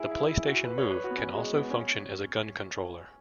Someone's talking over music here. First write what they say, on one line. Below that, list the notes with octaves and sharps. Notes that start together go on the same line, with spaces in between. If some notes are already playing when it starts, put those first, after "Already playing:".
The PlayStation Move can also function as a gun controller.
Already playing: E4 G#4
E4
E4
F#4
B4
C#5
B4
F#4
B3
C#4
G#3
B3
C#4